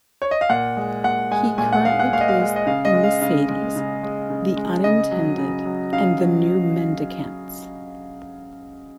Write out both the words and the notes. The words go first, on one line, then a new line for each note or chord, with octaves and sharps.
He currently plays in The Sadies, The Unintended and The New Mendicants.
C#5
D#5
F5
A#2 F#5
G#3
A#2 F#5
G#3 G#5
A#2 G#5
F#5
G#3 F5
F#5
A#2 F5
D#5
F5
G#3
D#5
C#3 F5
D#5
G#3
F5
C#3 F5
G#3
C#3
G#3
C#3
G#3
C#3 D#5
F#3
C#3
F#3
C#3 F5
F#3